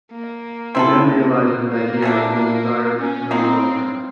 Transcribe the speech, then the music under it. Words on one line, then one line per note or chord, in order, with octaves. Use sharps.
He then realizes that he has the desire no longer.
A#3
C4 E4 A4
A#3
A#3
C3 E3 A3 D4
A#3
C#4
F#3 A#3 C4 D#4